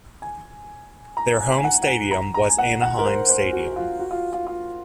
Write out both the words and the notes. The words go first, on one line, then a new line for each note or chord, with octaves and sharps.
Their home stadium was Anaheim Stadium.
G#5
A#5
G#5
G#5
F#5
F#5
G#5
A#5
A#5
G#5
F#5
F#5
A#4
C5
C5
F#4
F4
F#4
F4
F4
F4